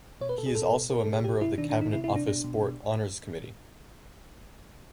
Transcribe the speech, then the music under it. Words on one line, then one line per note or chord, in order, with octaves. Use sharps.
He is also a member of the Cabinet Office Sport Honours Committee.
B2 C#5
B4
B2 A4
G#4
B2 A4
B2
B2 A#4
A4
B2
G#4
B2 G4
B2 E4
D#3 D4
D4
D#3
D#4
C3 E4
E4
C3
D4
B2 D4
B2
B2